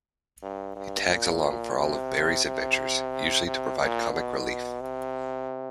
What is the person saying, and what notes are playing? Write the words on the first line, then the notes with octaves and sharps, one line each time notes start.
He tags along for all of Barry's adventures, usually to provide comic relief.
G2
G2
A#2
C3
C3
C3
A#2
B2
C3